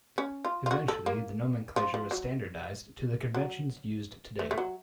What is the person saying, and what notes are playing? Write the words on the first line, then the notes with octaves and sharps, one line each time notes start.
Eventually the nomenclature was standardized to the conventions used today.
C#4
F4
F4
F#4
A4
A#3
F3
F3
F#3
F#3
A3
A3
F#3